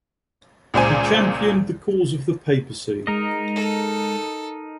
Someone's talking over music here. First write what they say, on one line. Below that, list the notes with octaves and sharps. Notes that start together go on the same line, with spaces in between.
He championed the cause of the papacy.
C#2 A#2 C5 G#5
G#3 D#4 A#4 D#5
A4